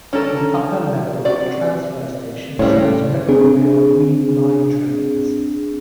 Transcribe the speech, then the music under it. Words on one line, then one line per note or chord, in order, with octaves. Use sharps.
The upper level of the transfer station serves Metrorail Green Line trains.
D3 C#4 A4 A#4
C3 F#4 D5
A2 C#3 G3 C4 C#5
C4 D4 G#4